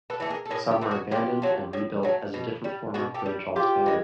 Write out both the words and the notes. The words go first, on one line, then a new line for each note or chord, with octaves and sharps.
Some were abandoned and rebuilt as a different form of bridge altogether.
A4 B4
E3 A3
G#4 A#4
A4
A2 G#4 A#4
G4 A4
E3 A3
F#4 G#4
A2 F4 G4
F#3 A3
A2
F#3 A3
B2
G3
B2 F#4 G#4
G4 A4
G3
A2 F4 G4
E3 G#3